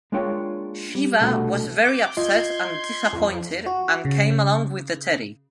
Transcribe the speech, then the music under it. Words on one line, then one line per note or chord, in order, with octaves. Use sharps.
Shiva was very upset and disappointed and came along with the Teddy.
G#3 A#3 D4 F4 C#5 G5
G3
C2 B2 A3 D4 F#4 B5
D6 G6
F4 D#5 C6 G6 G#6
F2
F#4
C#3